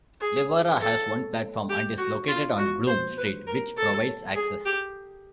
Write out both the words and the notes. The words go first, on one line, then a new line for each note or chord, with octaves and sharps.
Leawarra has one platform, and is located on Bloom Street, which provides access.
G#4
A4
G4
F#4
F4
F#4
C5
B4
A#4
A4
G#4
G4